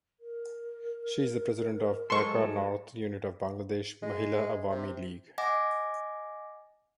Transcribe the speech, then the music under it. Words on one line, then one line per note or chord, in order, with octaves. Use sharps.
She is the President of Dhaka North unit of Bangladesh Mahila Awami League.
A#4
F#3 G#3 A4 C6 C#6
G#3
C3
D#5 F#5 G#5 D6 A#6